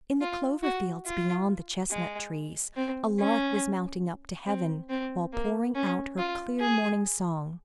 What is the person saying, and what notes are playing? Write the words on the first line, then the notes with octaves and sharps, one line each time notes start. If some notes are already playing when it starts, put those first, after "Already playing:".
In the clover-fields beyond the chestnut-trees, a lark was mounting up to heaven, while pouring out her clear morning song.
F4
F#4
F4
G#3
C4
C#4
C4
C4
A#3
C#4
F4
G#4